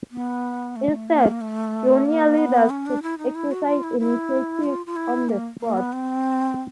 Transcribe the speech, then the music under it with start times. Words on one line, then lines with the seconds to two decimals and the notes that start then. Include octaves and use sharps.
Instead, junior leaders could exercise initiative on the spot.
0.11 B3
0.76 A3
1.08 A#3
1.41 A3
2.06 A#3
2.38 B3
2.70 C#4
2.86 D4
3.03 E4
3.18 D#4
3.35 E4
3.51 F#4
3.67 F4
3.83 E4
4.00 E4
4.64 F4
4.86 F4
4.96 E4
5.29 A#3
5.61 A#3
5.78 B3
5.93 C4